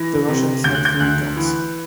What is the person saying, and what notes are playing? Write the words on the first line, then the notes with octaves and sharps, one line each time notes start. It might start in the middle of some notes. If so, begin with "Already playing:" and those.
The Russians had three guns.
Already playing: E3 A#6
C3
D2 G6
F#6
G6
D2 F#6
E3